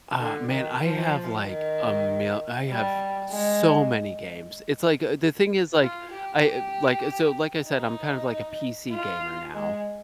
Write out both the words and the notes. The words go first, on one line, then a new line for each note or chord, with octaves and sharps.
Uh, man, I have, like, a mil I have so many games. It's, like, a the thing is, like, I, like, so, like, I said, I'm kind of, like, a PC gamer now,
D3
D#3
F3
D#3
G3
G#3
F4
G4
G4
D#4
F4
G#3